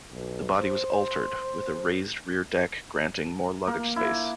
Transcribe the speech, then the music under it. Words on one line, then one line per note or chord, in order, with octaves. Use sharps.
The body was altered, with a raised rear deck granting more luggage space.
B1
C5
A#3
E4